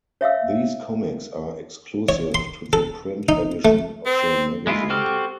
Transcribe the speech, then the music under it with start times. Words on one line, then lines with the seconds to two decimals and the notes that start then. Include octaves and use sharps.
These comics are exclusive to the print edition of the magazine.
0.21 C#5 E5 F5 E6
2.09 C#5
2.35 C6
2.73 A4
3.29 D#4
3.65 A3
4.06 C4
4.67 G#3 E4 F4
4.90 C4 F#4 G4 A4 F6